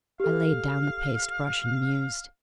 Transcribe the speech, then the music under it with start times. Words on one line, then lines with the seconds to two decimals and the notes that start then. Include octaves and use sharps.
I laid down the paste-brush and mused.
0.20 G4 A4 F5